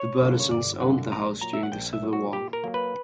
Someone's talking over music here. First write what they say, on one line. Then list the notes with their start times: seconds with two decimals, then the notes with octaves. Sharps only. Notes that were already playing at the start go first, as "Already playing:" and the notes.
The Burlesons owned the house during the Civil War.
Already playing: C#5
0.20 F#2 D3 G3 A#3
0.40 C#5
0.51 G1 D5
0.81 F#2 D3 G3 A#3 F#5
1.12 A#1 A#5
1.41 A#2 F#3 A#5
1.53 E5
1.63 F#5
1.72 A#1 G5
1.93 E5
2.02 A#2 F#3
2.13 F#4
2.33 A#2 G4
2.53 A#4
2.64 F#3 A#3
2.74 B4